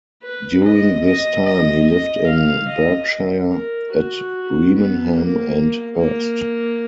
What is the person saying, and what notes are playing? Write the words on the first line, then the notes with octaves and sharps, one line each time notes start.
During this time, he lived in Berkshire, at Remenham and Hurst.
B4
D#5
D#5
D#5
D#5
F5
D#5
A#4
F#4
B3
A#3
A#3